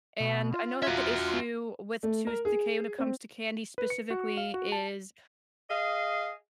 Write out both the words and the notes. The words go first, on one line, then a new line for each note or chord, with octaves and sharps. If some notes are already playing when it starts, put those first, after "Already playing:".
and I know that the issue with tooth decay when it comes to candy specifically is
B2
F4
F#4 E5
A3
A#4
G#4
C4
B4
C#7
F#4
F5
F#4
A5
G#4 D#5 F5